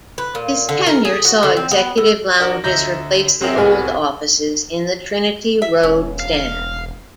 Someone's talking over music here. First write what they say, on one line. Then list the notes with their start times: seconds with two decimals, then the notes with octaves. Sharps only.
His tenure saw executive lounges replace the old offices in the Trinity Road Stand.
0.18 B4
0.35 A#2
0.69 D3
0.86 A#4
1.05 G#4
1.25 F#4
1.43 D3
1.57 C4
1.71 B3
1.97 A2
2.39 D4 F#4 A#4
2.64 D2 D#5 E5 A#5 G6 A#6
3.41 F#3 C4 F#4 G#4 A#4 E5
3.56 C2 A2 B3 F#4 G#5 F6
5.62 E5
5.83 E1 C#4
6.20 F5